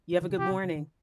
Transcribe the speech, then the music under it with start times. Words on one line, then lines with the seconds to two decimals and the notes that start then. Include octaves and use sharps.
You have a good morning.
0.12 F3
0.21 D#3
0.30 C#3
0.39 C3 G4
0.51 C3
0.63 C#3
0.75 D#3